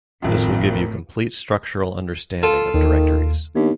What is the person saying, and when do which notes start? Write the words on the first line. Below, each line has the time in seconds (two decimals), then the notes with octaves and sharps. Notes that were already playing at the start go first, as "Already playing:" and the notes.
This will give you complete structural understanding of directories.
0.22 G#1 F2 A2
2.43 F4 A4
2.74 D#2 D#3
3.55 D#2 B3 D4